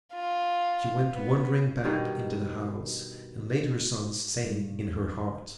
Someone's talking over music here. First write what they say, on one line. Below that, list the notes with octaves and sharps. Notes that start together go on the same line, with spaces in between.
She went wondering back into the house, and laid her son's saying in her heart.
F4
B3
G2 B2 D#3
G2